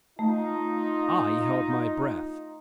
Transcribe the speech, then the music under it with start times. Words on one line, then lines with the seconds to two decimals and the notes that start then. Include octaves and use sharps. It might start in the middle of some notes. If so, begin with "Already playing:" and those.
I held my breath....
0.19 A3 D#4 F4